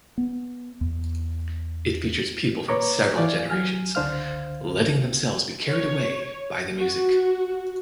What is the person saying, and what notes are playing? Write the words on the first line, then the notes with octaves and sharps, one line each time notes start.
It features people from several generations "letting themselves be carried away by the music".
B3
E2
A#2 B4 C#5 A#5 C#6 D6
E3 D5 F5 G#5
F#3 G#5 F6
C#2 D3 D4 C5 F5 F6
C#5
F#4